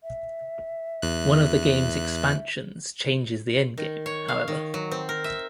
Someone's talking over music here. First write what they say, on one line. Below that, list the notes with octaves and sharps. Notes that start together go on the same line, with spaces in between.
One of the game's expansions changes the endgame, however.
E5
E2 F#6
D#3
C#5
F5
D#3
F#3
C4
A#4
E5